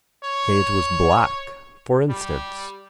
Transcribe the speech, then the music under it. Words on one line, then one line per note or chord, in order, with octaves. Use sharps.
Say it was black, for instance.
C#5
G3